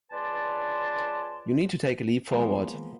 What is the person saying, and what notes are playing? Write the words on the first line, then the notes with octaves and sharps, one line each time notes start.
You need to take a leap forward.
C#2 B4 D5 G#5 A5 C6
F3 G#3 A#3 B3